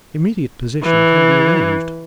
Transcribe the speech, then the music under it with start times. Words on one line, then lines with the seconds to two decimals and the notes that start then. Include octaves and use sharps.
Immediate possession can be arranged.
0.83 E3